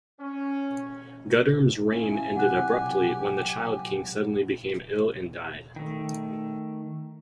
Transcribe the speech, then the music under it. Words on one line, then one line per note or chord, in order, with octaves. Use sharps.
Guttorm's reign ended abruptly when the child king suddenly became ill and died.
C#4
C#4 E4 F5 G#5
B1 C3 E3 G4 F#5 F#6
D#3 A3